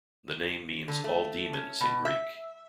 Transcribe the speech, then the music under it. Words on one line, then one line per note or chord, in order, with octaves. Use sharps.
The name means "all-demons" in Greek.
D3
A3
C#4
B2
E5